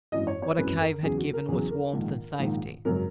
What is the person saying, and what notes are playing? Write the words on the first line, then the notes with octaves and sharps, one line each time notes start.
What a cave had given was warmth and safety.
G#1 F#2 E3 D#5
C#5
C#5
G#1 F#2 E3 B4
A#4
E2 C#3 F#3 G#4
F#4
A#4
E2 C#3 F#3 G#4
A#4
A#1 G#2 D#3
A#1 G#2 D#3
G#1 F#2 C#3 F#3 A#4